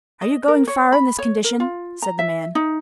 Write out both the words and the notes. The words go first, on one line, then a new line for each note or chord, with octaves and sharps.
"Are you going far in this condition?" said the man.
D#5
A#4
C#5
B5
C#5
A#4
F4
A#5
E5
D#4